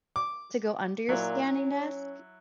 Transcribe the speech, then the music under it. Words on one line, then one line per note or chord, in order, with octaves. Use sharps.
to go under your standing desk?
D6
A#2 F#3 E4
C#4